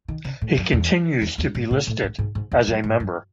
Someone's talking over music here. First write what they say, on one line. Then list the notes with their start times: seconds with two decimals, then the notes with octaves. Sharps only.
He continues to be listed as a member.
0.08 D#3
0.25 C#3
0.41 A2
0.57 F#2
0.73 E2
1.22 E2
1.38 E2
1.55 G#2
1.71 A2
1.87 A2
2.03 G#2
2.18 G#2
2.35 G#2
2.52 E2
2.67 F#2
2.84 G#2
3.00 F#2